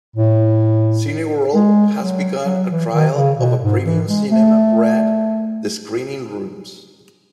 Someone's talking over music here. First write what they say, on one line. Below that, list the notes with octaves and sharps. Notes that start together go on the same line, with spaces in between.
Cineworld has begun a trial of a premium cinema brand, The Screening Rooms.
A2
G#3
F#3
F#3
E3
D#3
C#3
B2
G#2
E3
G#3
A3